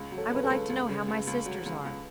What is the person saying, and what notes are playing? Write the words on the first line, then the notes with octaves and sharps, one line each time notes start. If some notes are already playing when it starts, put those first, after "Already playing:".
I would like to know how my sisters are.
Already playing: C#2
F#3
A4 C#5
C#2 B4
A4
C#2
C#2
C#3
C#2
C#2
F#3
C#2
C#2